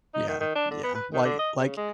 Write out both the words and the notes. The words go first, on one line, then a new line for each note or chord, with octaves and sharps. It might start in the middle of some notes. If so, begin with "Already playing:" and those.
Yeah, yeah. Like like,
D#4
D#3
D#3
D4
D3
B3
B4
D#3
D3
D#5
C#3
G#3